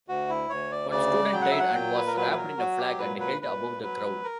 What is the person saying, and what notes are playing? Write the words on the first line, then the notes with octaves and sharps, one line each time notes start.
One student died and was wrapped in a flag and held above the crowd.
D2 F#4
E4
D2 C#5
D5
C#3 D5
F#3 G5
F#5
E5
F#5
A#2 G5
B4
A#4
F#3 B4
B4
A#4
F#3 F#4
G4
A#2 B4
B4
A#2 B4
F#3 B4
A#4